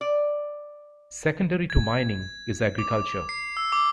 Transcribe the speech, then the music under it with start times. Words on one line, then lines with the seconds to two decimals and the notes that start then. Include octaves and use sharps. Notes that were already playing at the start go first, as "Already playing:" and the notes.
Secondary to mining is agriculture.
0.01 D5
1.70 G#6
2.79 D6
3.29 C7
3.57 E6
3.72 D6